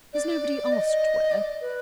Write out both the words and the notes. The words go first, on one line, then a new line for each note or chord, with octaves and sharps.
"Has nobody asked where?"
D5
D#5
D5
B4